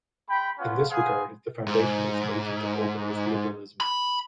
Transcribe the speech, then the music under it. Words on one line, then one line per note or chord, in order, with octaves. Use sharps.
In this regard, the Foundation is an agent of organized liberalism.
G#3 G5 B5
B3 C#4 F4
B3 G#4 C5 F5 G#5
G#2
B5